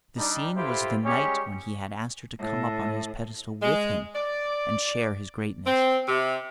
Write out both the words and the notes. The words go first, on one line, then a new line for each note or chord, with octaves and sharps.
The scene was the night when he had asked her to come up on his pedestal with him and share his greatness.
G3 D4 D#4
E4 F4 G4 A4 B4 C5
G3 G#3 C#4 G4 C#5
A2
G#3
D5
C4
C3